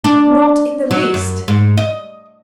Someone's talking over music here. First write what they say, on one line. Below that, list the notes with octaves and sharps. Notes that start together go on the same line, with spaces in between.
"Not in the least."
D4
F#3
F#2
G#2
D#5